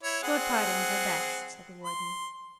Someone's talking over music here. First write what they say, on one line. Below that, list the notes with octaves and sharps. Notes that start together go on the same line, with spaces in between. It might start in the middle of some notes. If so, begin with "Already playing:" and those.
"Short partings are best," said the Warden.
E4 C#5
C4 G#4 F#5
C6